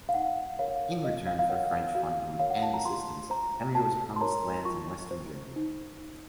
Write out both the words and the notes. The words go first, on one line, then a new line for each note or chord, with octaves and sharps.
In return for French funding and assistance, Henry was promised lands in western Germany.
F5
D#4 F#5
A#4 C#5 F5
F4 D#5
F5
F5
A#4 C#5 F#5
F5
F#4 F5
A#4 C#5 F5
F#5
A5
A#5
F4 C6
C5 A#5
F#4 A5
C6
A#4 C#5 A#5
F4 C#6
C5
D#4